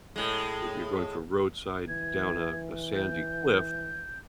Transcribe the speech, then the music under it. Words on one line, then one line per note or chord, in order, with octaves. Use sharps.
y you're going from roadside down a a sandy cliff,
A2 G#3
E3 G#6
G6